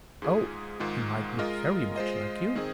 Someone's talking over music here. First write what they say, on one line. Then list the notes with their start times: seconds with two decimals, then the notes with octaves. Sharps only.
"Oh, he might look very much like you."
0.22 G#2 G#3 F4 G#4
0.80 G#2 D#3 G#3 F4
1.38 G#3 F4 A#4 D#5
1.96 G#3 F4 C5 D#5
2.55 D#3 C4 G#4 D#5